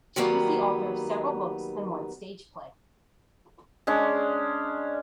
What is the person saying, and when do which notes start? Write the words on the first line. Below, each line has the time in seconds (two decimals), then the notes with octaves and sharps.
She was the author of several books and one stage play.
0.16 D#3 F#3 G3 A#3 B3
3.87 G#3 C#4 D4